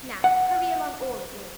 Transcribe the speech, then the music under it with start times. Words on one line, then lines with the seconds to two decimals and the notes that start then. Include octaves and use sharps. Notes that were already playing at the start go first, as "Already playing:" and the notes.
Now hurry along, all of you.
0.24 F#5